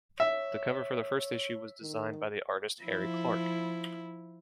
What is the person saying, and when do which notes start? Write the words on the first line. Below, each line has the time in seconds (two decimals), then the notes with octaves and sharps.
The cover for the first issue was designed by the artist Harry Clarke.
0.20 C#5 E5
1.81 D#3
2.83 F3 E4